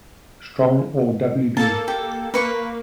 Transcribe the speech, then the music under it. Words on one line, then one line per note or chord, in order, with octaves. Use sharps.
Strong or W. B.
A#3 A4 A5
G4
A#3 B4 C#6